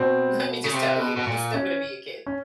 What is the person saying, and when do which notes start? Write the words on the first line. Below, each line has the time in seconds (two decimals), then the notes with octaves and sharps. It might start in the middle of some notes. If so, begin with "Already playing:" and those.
Let me just tell you, he's still gonna be your kid.
Already playing: B2 C4
0.64 C#3
0.73 C3
0.99 B2
1.17 B2
1.27 A#2
1.54 C#4
2.26 C#4